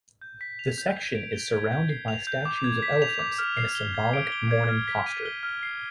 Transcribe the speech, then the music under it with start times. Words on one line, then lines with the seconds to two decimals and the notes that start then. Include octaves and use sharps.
The section is surrounded by statues of elephants in a symbolic mourning posture.
0.21 G6
0.41 B6
0.59 F7
0.78 G6
0.96 G#6
1.15 D7
1.33 G7
1.53 G#6
1.71 G6
1.90 C7
2.08 F7
2.27 G6
2.45 D6
2.64 G#6
2.83 B6
3.02 F7
3.19 D6
3.38 F6
3.57 C7
3.75 G7
3.94 G#6
4.13 D7
4.32 G7
4.51 G#6
4.69 F6
4.88 B6
5.06 D#7
5.26 G7
5.43 F6
5.63 C7